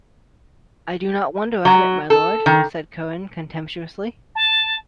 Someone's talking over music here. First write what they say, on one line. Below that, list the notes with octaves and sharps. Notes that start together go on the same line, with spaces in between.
"I do not wonder at it, my lord", said Curran contemptuously.
F#3
A4
D#3
A5